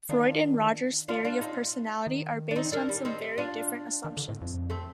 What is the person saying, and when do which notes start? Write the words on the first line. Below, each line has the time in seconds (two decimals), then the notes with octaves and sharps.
Freud and Roger's theory of personality are based on some very different assumptions.
0.09 D#3 D4 F4
1.08 D4 F4
1.24 D4 F4
1.41 C4 D#4
2.07 D#3
2.51 D4
2.55 C4 D#4
2.72 A#3 D4
2.89 G3
3.05 C4 D#4
3.38 D4 F4
4.04 D#3
4.17 D3
4.29 A2
4.41 F2
4.70 A3 C4